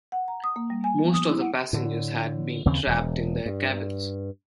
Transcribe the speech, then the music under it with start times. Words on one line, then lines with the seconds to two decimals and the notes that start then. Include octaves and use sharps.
Most of the passengers had been trapped in their cabins.
0.12 F#5
0.28 A#5
0.44 D#6
0.56 A#3
0.70 G3
0.84 G#5
0.99 B3
1.14 D#6
1.28 E4
1.40 F#5
1.73 A2 D3
2.65 D#2 C#3 E3 C4
2.87 E1
3.46 G2